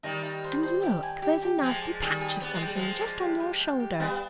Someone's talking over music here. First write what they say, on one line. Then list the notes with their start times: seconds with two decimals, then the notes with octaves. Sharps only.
"And look, there's a nasty patch of something just on your shoulder."
0.03 D#3 G3 D#4
0.23 D#4
0.44 C5
0.63 C5
0.83 G4
1.03 G#5
1.22 G4
1.42 G4
1.62 F3 G#3 G#5
1.82 D5
2.02 D#3 G3 G#4
2.21 G#4
2.41 B3 D5
2.53 G#3
2.62 G3 G5
2.75 F3 G#3
2.81 C6
3.01 D5
3.21 G4
3.40 G4
3.60 G5
3.80 G4
4.00 G3 B3 F5